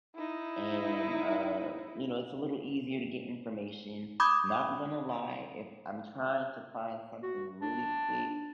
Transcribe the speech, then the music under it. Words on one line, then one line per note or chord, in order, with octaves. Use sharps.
and, uh, you know, it's a little easier to get information. Not gonna lie, if I'm trying to find something really quick,
D#4 E4
B5 D6 D#6 G6 G#6
F#4
D4